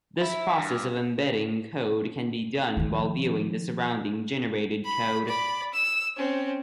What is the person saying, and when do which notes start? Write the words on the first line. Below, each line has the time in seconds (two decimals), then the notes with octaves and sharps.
This process of embedding code can be done while viewing the surrounding generated code.
0.21 E4
0.58 G2
2.77 D#3 F3
4.85 B5
5.27 D5 B5
5.74 E6
6.17 C4 C#4